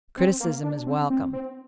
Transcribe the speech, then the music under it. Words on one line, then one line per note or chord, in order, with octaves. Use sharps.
Criticism is welcome.
C4
A#3
D4
C4
C4
C4